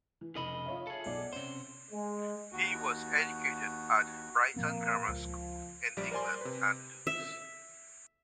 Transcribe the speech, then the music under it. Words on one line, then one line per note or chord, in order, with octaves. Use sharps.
He was educated at Brighton Grammar School in England and Lewes.
E3
F1 C#3 D#5 B5
F4 C#5 E5
G#4 A4
B1 D5
C3 C#4 C5
G#3
D#2 F#4
A#2 F3 A#3 C4
C#2 F3
A#1 G3 D7
A#4 C5 D5 G#5 C6
C3 B4
E5